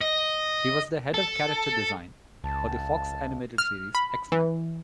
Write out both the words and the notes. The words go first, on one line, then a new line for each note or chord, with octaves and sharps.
He was the head of character design for the Fox animated series "X-Men".
D#5
A4
C#2 A5
F6
B5
E3